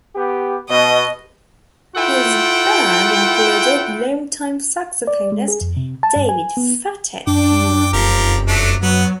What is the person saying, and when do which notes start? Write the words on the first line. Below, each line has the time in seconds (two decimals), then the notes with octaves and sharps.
His band included longtime saxophonist David "Fathead" Newman.
0.16 B3 G4
0.69 B2 D#5
1.96 E4 F4 A4 F#5 G5
5.07 D5
5.32 G#3
5.48 G#4
5.61 F2
5.77 C3
6.03 A5
6.16 G2
6.29 G#5
6.57 B3
7.27 F#2 D4 G5 D6
7.93 F1 F3 G4 A#4
8.48 F#3 A3 D4
8.83 F#3 B3 F#5